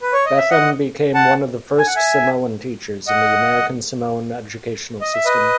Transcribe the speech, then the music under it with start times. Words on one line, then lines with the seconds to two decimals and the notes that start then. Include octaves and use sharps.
Betham became one of the first Samoan teachers in the American Samoan educational system.
0.01 B4
0.13 C#5
0.26 D#5
0.37 E5
0.50 D#5 F#5
1.14 F#5 A5
1.79 G#5
1.87 F#5
1.96 E5 G#5
3.08 D#5 F#5
5.01 D#5
5.14 E5
5.25 B4 D#5